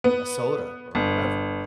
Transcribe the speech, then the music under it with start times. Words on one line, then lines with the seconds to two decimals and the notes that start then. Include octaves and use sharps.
a soda or whatever.
0.04 B3
0.95 G1